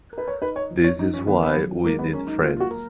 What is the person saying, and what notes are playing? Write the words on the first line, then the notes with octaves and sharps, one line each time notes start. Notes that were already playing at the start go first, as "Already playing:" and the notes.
This is why we need friends.
A#4 B4
C#5
D#4 B4
C#5
F3
C#5
F3 D#4
C#4
D#3 B3
A#3
B3
F#3
G#3 A#3
B3
C#4 A#4
D#4
A#3 F4
F4
F#4
A#4